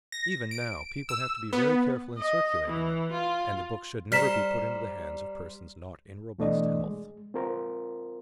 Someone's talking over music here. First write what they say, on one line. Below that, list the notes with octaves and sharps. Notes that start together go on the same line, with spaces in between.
Even now people have to be very careful in circulating them, and the books should never be put into the hands of persons not in robust health.
A#6
D7
E6
B3
D#5
E3
F4
G3 C5 D5 A#5 F6 B6 E7
B2 E3 A3 D4 D5 D#5
G#3
C4 F4 A#4 C5